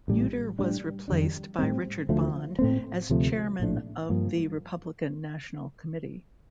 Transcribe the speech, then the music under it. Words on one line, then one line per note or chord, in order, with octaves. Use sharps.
Yeutter was replaced by Richard Bond as Chairman of the Republican National Committee.
A1 A2 G3
A2 G3 D4
F2 D#3 G3 D4
A2 G3 C4
D2 D3 F3 A3
A2 A3 C4
D2 C3 F3 A3
A#1 A2 A3 D4
G2 F3 A#3